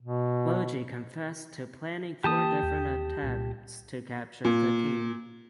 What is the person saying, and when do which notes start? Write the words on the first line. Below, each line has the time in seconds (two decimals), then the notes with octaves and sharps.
Logie confessed to planning four different attempts to capture the king.
0.02 B2
2.24 E3 A#3 G4 A5 D#6
2.63 D#2
3.22 C2 A#2
4.44 A#2